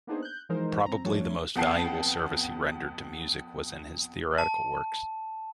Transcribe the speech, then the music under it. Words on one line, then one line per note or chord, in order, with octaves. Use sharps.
Probably the most valuable service he rendered to music was in his theoretical works.
A#3 B3 D4 D#4 G#4 C5
F#6 G6
E3 F3 G#3 D#4 A#4 C5
C4 A#5
F3 G3 A3 D4 C#5
F2 B3 G5 A5 C7
A5